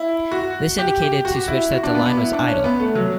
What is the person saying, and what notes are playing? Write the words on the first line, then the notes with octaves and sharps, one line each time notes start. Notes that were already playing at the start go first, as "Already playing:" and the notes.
This indicated to switch that the line was idle.
Already playing: E4
F#4
G4
G4
F#4
E4
F#4
D4
B3
B3
E4
D4
C#4
B3
A3
F#3